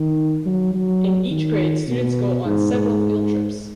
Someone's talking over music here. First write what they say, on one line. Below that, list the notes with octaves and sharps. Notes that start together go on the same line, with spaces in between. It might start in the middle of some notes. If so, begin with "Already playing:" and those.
In each grade students go on several field trips.
Already playing: D#3
F#3
F#3
D#3
B2
G#2
G#2